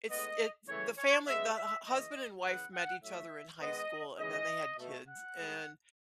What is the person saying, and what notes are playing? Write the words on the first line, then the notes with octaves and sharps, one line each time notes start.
it's it's the family the hu husband and wife met each other in high school and then they had kids, and,
A2 G#3 B3 D#5
C#3 E3 A3 C#5
C#5
C#3 G#3 B3 E5
E5
C#3 E3 A3 D#5
C#3 E3 B3 F#5
F#5
A2 F#3 A3 E5
D#3 G#3 B3 D#5
C#3 E3 G#3 D#5
B2 A3
F#5
A2 G#3 B3